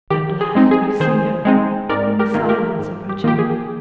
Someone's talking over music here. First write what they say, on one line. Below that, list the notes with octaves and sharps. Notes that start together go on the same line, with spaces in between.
At last, I see her, in the silence of her chamber.
D#3 G4
G#4
G#3 C4 D#4
G#4
D#3 G#4 C5
G#3 C4 D#4
G#2 A#4 D5
G4 A#4
D#3 A#3 F4
G4 A#4
G#2
G4
D#3 A#3 F4 G4
G#4